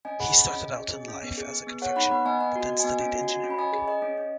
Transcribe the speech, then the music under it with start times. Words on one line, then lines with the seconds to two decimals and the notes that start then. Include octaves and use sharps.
He started out in life as a confectioner, but then studied engineering.
0.05 C#4 D#5 G#5
0.20 G#4 F#5 B5
0.35 G#4
0.49 C#4 D#5
0.64 C#4
0.79 G#4
0.93 G#4
1.08 C#4
1.23 B3
1.38 G#4
1.53 G#4
1.67 B3
1.82 G#4 C#5 F#5
1.96 D#4 F#5 B5
2.11 B3 F#5 B5
2.25 B3 D#5 G#5
2.41 B3 D#5
2.56 F#4
2.61 D#5
2.69 F#4
2.80 B3 D#5 G#5
3.00 C#4
3.14 F#4
3.29 F#4
3.43 C#4
3.50 B5
3.58 C#4 D#5 G#5
3.73 G#4
3.88 G#4 D#5
4.02 C#4
4.17 C#4